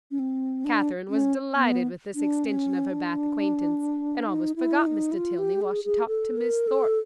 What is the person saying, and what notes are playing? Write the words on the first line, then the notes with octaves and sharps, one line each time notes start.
Catherine was delighted with this extension of her Bath acquaintance, and almost forgot Mr. Tilney while she talked to Miss Thorpe.
C#4
C4
D4
C#4
B3
D4
C#4
D4
D#4
E4
D#4
E4
F4
G4
G#4
G#4
A4
A#4
A4